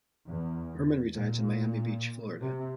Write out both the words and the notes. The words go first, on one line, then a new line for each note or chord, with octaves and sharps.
Herman resides in Miami Beach, Florida.
E2
A#2
C3